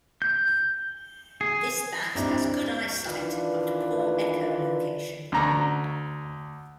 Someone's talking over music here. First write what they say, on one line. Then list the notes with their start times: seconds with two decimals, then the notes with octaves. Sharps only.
This bat has good eyesight, but poor echolocation.
0.22 G6
1.41 G#4
2.15 G#2 C4 D4 E4 G4
3.06 D#3 E3 D4 F4 B4
5.32 D2 A#5 C#6